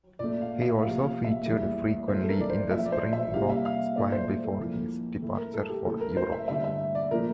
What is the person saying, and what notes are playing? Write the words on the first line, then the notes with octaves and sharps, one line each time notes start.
He also featured frequently in the Springbok squad before his departure for Europe.
A#2 A3 D5
F5
E5
C3 F3 A#3 F5
F5
E5
E2 E3 G3 A#3
A2 E3 A3 C5
A4
A#4
D5
C5
A2 F3 A3 E5
D5
C5
E5
C3 G3 A#3 F5
E5
F5
A#2 A3 D5
C5
A4
F2 E3 A#3
A2 E3 A3
A#4
A4
G4
A2 E3 A3 A4
A#4
A#4
C5
E5
G2 D3 A3 E5
E5
D5
A#2 F3 A3 A#4